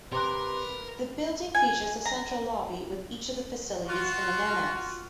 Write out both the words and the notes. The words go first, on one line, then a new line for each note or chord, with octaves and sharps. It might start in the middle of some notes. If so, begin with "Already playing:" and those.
The building features a central lobby with each of the facilities in an annex.
C3 A#4 B4 C6 D6 F#6
G#5
A#5
F4 F#4